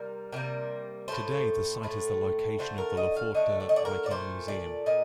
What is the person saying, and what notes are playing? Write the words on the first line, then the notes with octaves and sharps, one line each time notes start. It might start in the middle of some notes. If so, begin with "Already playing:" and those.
Today the site is the location of the Lofotr Viking Museum.
Already playing: C3 G3 A#3 A#4
C3 G3 A#3
A2 A3 C5
A2 A3
D3 A3 C5
A#4
D#5
F5
D3 A3 D#5
D5
D#5
D5
A#4
D5
A#2 A3 C5
D5
A#2 D#5